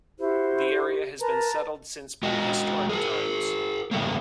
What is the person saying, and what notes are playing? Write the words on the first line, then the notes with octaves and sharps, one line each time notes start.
The area has been settled since prehistoric times.
E4 F#4 G4 C5
A#4 B4 A5 A#5
G#3 F#4 D#5
G#4 A#4
C#3 G3 A3 A#3